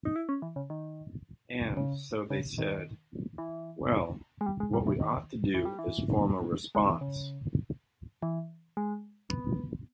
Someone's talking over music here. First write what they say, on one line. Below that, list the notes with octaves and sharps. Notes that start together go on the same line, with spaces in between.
And, so, they said, 'Well, what we ought to do is form a response.
D#4
E4
C#4
E3
C#3
D#3
C#3
C#3
D#3
E3
G#3
G3
G#3
G3
E3
D#3
E3
G3
E3
G#3
E3
C#3
E3
G#3
B3